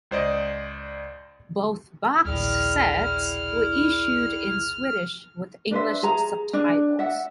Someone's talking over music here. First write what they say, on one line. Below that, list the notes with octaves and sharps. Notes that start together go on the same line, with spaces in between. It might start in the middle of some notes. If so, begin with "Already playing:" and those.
Both box sets were issued in Swedish with English subtitles.
C#2 C5 D5 D#5
D#1 A#1 E4 G#4 D5 G5 B5 F6
D4 B4 C5 E5
G#4 A#5
D4
E5 F#5